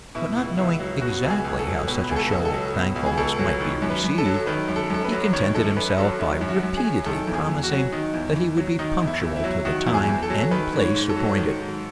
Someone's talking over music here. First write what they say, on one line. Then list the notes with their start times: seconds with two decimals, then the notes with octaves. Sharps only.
But not knowing exactly how such a show of thankfulness might be received, he contented himself by repeatedly promising that he would be punctual to the time and place appointed.
0.15 B2 E4
0.37 C#2
0.58 C#2 E4
0.80 F#3
1.01 B2 F#4
1.23 C#2
1.30 G#4
1.45 C#2 G#4
1.59 A4
1.66 F#3
1.88 B2 B4
2.09 C#2 G#4
2.16 A4
2.31 C#2
2.45 A4
2.52 F#3
2.74 B2
2.96 C#2
3.06 G#4
3.17 C#2 A4
3.39 F#3
3.60 D#3
3.82 F#2
3.90 B4
4.04 F#2
4.18 A4
4.25 F#3
4.46 D#3 B4
4.68 F#2
4.76 A4
4.90 F#2 A4
5.04 B4
5.12 F#3
5.33 D#3 C#5
5.55 F#2 A4
5.77 F#2 B4
5.98 F#3 A4
6.20 D#3 E4
6.41 F#2
6.49 F#4
6.63 F#2
6.77 G#4
6.84 F#3
7.06 D#3 A4
7.27 E2
7.35 G#4
7.49 E2
7.63 F#4
7.71 F#3
7.92 D#3 D#4
8.14 E2
8.36 E2
8.57 F#3
8.79 D#3 D#4
9.01 E2
9.08 E4
9.22 E2
9.36 E4
9.44 F#3
9.65 D#3 F#4
9.87 E2
9.94 G#4
10.08 E2
10.23 A4
10.30 F#3
10.51 D#3 B4
10.73 G#2
10.80 C#5
10.94 G#2
11.09 A4
11.16 F#3
11.37 D#3
11.60 G#2